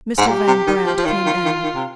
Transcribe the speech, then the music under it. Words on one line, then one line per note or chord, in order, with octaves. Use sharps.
Mr. Van Brandt came in.
G#2
A#2 G4
C3
D#3
F3
F3
D#3 F4
D#3
D#3
D#3
C3